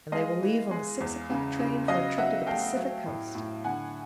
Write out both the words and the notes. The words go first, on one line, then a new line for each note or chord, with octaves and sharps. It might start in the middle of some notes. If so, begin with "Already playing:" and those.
And they will leave on the six o'clock train for a trip to the Pacific coast.
G#3 D#5 F5
E3
G#3
E2
C#3
C#3
F#3 D#5 F5
F#3 E5 F#5
A3 F5 G5
F#3
A2
A2
D3 F#5 G#5